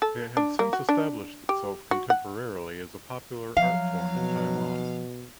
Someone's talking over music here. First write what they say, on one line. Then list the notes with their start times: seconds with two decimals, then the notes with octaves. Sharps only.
It had since established itself contemporarily as a popular art form in Taiwan.
0.02 A4
0.37 D4
0.59 A#3
0.73 F#4
0.89 D4
1.49 G4
1.91 F#4
2.10 F#5
3.57 F3 F#3 F5
4.16 B2